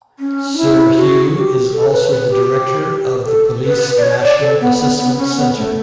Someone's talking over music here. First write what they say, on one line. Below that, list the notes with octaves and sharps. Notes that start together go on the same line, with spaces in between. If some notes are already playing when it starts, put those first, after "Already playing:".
Sir Hugh is also the director of the Police National Assessment Centre.
C#4
D4
E4
F#4
G4
A4
B4
B4
G4
A4
B4
D5
C#5
D5
A4
B3
B3
B3
C#4
B3
A3